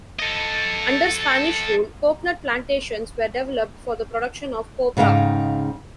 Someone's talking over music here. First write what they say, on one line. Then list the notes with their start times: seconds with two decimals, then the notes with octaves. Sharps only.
Under Spanish rule, coconut plantations were developed for the production of copra.
0.19 A4 D#5
4.97 G#2 C#3 D#4 F5 G5